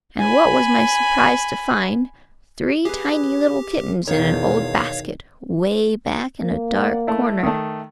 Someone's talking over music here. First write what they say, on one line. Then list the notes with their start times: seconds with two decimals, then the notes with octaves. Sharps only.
"And what was my surprise to find three tiny little kittens in an old basket, 'way back in a dark corner!"
0.19 G#5 B5
2.85 G4 G#4 B4
4.08 E2 B2 D#3 C#5 F5
6.41 A#3
6.75 D5 F#5
7.07 A3 E4
7.43 D#3 A3